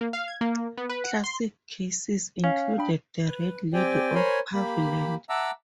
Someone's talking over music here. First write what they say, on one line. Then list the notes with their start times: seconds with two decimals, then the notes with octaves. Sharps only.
Classic cases included the Red Lady of Paviland.
0.01 A#3
0.13 F5
0.28 G#6
0.41 A#3
0.77 B3
0.89 B4
1.04 F#5
1.24 C6
2.44 C#4 F5
2.78 D4 G5 B5
3.26 B4
3.73 C4 G4 D5 G5 G#5
4.15 A#4 C5 C#5 G#5 B5 C6
4.54 A#3 G4 B5
5.29 E5 F#5 A5 A#5 D6 E6